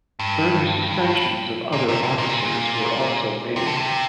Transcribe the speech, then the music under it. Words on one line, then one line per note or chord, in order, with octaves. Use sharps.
Further suspensions of other officers were also made.
G2
A#2
C3
A#2
A#2
C3
A#2
C3
D3
C3